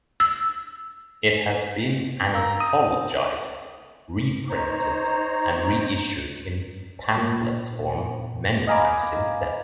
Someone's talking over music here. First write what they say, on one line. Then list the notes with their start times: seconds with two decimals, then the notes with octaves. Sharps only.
It has been anthologized, reprinted, and reissued in pamphlet form many times since then.
0.20 E6
2.33 A#4 F5 G5 A#5 E6
2.60 D#6
4.50 D#4 C5 C#5 A#5
7.17 A#2
8.67 D#5 F5 G#5 A#5 B5 D6